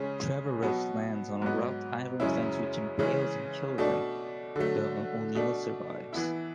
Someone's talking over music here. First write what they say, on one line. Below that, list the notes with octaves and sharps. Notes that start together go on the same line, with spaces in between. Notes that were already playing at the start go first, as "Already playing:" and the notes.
Traveres lands on a wrought-iron fence which impales and kills him, though O'Neill survives.
Already playing: C#3 G#3 C#4 G#4
B2 F#3 B3
G#2 F#3 B3
F#2 C#3 G#3 C#4 E4
C#3 E3 G#3 C#4
B2 A3 D4
D3 F#3 A3
B2 A3 D4
E3 B3 E4